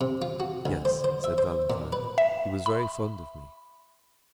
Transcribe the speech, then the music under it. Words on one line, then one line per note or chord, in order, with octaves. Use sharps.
"Yes," said Valentine, "he was very fond of me."
C3
F4
F#4
D2
C5
C5
E5
C5
A#2
B4
E5
B5